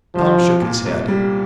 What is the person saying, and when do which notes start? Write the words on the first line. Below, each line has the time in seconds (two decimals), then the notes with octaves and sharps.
Tom shook his head.
0.15 C2 F3
0.38 C2
0.62 A#2
0.85 C2
1.08 G3